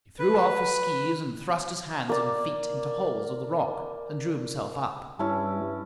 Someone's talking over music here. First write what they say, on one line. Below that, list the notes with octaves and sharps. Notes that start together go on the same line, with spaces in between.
He threw off his skees and thrust his hands and feet into holes of the rock and drew himself up.
B4
A#3 D5
G2 G3 C#4 E4 A5